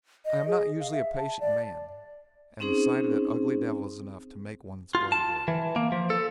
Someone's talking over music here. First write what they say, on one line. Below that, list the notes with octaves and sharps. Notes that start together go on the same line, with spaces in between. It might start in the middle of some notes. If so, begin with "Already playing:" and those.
I am not usually a patient man, and the sight of that ugly devil is enough to make one's blood boil.
D#5
G#4
F5
E5
A5
D5
C4 C#4 D#4 G#4 C5
F4
A5
E3
A#3
F3
A4